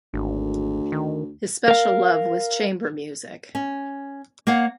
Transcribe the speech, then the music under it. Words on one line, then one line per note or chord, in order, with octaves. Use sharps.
His special love was chamber music.
G#1 D2
D#3
A#4 F5
C#4
A#3 C#5 F5 F#5